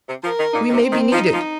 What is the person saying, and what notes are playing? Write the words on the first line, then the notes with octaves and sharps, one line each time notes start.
"We may be needed."
C3
F3 A#4
D#3
A#2 D#4
D#3
C3
C4
D#3
F3 D#4
F3